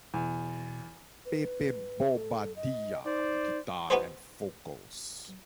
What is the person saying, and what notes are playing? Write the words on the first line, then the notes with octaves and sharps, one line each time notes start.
Pepe Bobadilla: Guitar and Vocals.
E2 B2
B4
A4
D#5
D#4 C5 D5
B3 D#4 F#4 G#4 B4 C5